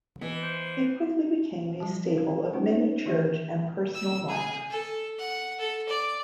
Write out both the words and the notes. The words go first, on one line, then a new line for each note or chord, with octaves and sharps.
It quickly became a staple of many Church and personal libraries.
E3 B3 B4 D#5
C5
F3 G3 A5
F#4 A#4 F5
A3 C#4 D#4 F4 B4
D#4 C5 C#5
D#3 E3 E4 G4 E5
E6
G#4 G#5
A4
F#5
A4
D5